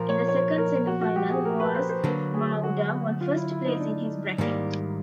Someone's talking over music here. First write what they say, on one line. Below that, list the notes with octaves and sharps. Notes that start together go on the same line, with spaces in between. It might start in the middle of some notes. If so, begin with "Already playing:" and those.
In the second semifinal Boaz Ma'uda won first place in his bracket.
Already playing: A#2 F3 A#3 A#4
C#5
C#5
A#4
F#4
F#4
G4
G#4
A#4
B4
C5
C5
D3 F#3 A#3 B4
G#4
F#4
F4
E4
E4
D#4
D4
G#2 D#3 G3 A#3